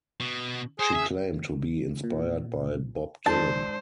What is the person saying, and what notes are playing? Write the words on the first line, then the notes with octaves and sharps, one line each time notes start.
She claimed to be inspired by Bob Dylan.
B2
G#4 C5
D#5 E5
A#2
G#2 D#3 D4 C5 A5